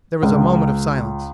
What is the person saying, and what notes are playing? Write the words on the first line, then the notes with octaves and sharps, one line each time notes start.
There was a moment of silence.
C#2